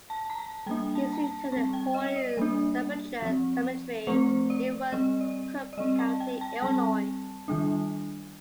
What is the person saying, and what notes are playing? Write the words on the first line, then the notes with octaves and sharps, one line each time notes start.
He is interred in Holy Sepulchre Cemetery in Worth, Cook County, Illinois.
A5
A#5
A5
G3 A#3 D4 G5
A5
A#5
A5
G3 C4 A5
G5
D#5
D5
G3 A#3 D4
F3 C4
F3 A3 C4 C5
D5
G3 C4 D#5
D5
D5
G3 C4 D#5
A5
G5
A5
G3 C4 A5
D#3 G3 D4